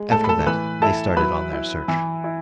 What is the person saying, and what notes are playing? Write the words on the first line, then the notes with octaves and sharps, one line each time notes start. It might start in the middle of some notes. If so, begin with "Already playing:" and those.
After that, they started on their search.
Already playing: G#3
A2 A4 A5
B5
A4 A5
E3 B4 B5
E4 A4 A5
F#3 B4 B5
E4
E3
E4